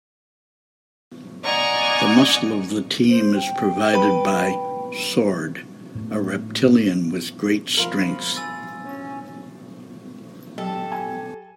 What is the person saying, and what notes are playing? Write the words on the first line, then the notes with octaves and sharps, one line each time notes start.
The muscle of the team is provided by "Sord", a reptilian with great strength.
D5 D#5 F#5 G#5 A#5 C#6
C5
G5
B4 B5
A2 A3
F3 F4 A#4 B5
G#5 E6 A6
C#4
F#3 G4 A4
G#5